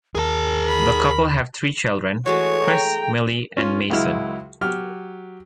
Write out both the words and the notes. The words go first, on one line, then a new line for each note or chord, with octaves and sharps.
The couple have three children; Chris, Millie and Mason.
D#2 G#4 A#4 A5
B5
E3 G#3 A3 F#4 C#5
G5 A#5
C#4 F4 C6
C#2 F#3 G#3 E4 F6
F#3 G4 F6